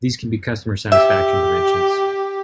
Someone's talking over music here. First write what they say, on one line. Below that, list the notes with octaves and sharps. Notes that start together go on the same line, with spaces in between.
These can be customer satisfaction dimensions.
G4 E5